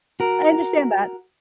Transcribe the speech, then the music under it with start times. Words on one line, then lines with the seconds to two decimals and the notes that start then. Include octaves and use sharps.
I understand that.
0.20 F#4 A#4